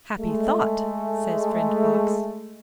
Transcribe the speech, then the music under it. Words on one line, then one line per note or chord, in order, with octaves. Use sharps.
'Happy thought!' says friend Fox.
G#3 A3